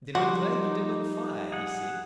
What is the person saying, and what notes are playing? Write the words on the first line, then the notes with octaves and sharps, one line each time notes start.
"Then I'm glad you did not fire!" he said.
F3 G3 G#3 D#4 F#4 C6 D6
G#4 F#5